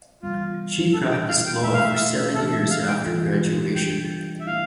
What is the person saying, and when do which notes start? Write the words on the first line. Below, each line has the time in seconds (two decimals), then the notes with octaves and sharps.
She practiced law for seven years after graduation.
0.22 C3 E3 G3 B3 F4
0.93 E3 B3 D4 A4
1.11 G5
1.28 F5
1.46 G5
1.63 B2 A3 E4 A4 E5
1.74 F5
1.84 E5
2.35 C3 E3 B3 D4 A4
2.52 E5
2.70 F5
2.87 G5
3.05 E3 G3 B3 F4 A4
3.75 C3 G3 D4 G4 G5
4.40 E5
4.47 D3 A3 E4 F5